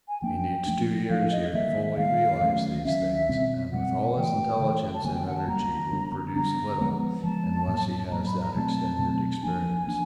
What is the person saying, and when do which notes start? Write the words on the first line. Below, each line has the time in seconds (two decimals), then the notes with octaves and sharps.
He needs two years here to fully realise these things, and with all his intelligence and energy will produce little unless he has that extended experience.
0.08 G#5
0.22 F3 A#3 D4 G5
0.66 F3 A3 D4
1.10 F3 A3 D4 F5
1.32 D#5
1.54 D#3 G3 A#3 E5
1.91 E5
1.97 D#3 G3 A#3 F5
2.42 D#3 F#3 A3 C#4
2.85 D#3 F#3 A3 C#4 E5
3.29 B2 G3 C4
3.73 B2 G3 C4 F#5
4.17 C#3 E3 A3 G5
4.60 C#3 E3 A3
4.94 A5
5.04 D#3 G3 A#3 G#5
5.15 G5
5.26 F#5
5.37 A5
5.48 D#3 G3 A#3 A#5
5.92 D3 G3 B3 D4
6.36 D3 G3 B3 D4 A#5
6.80 F3 G#3 B3
7.24 F3 G#3 B3 A5
7.68 A2 F#3 A#3
8.11 A2 F#3 A#3 A#5
8.26 B5
8.41 A#5
8.55 B2 F#3 A3 C4 A5
8.99 B2 F#3 A3 C4
9.43 F3 A#3 D4 G#5
9.87 F3 A#3 D4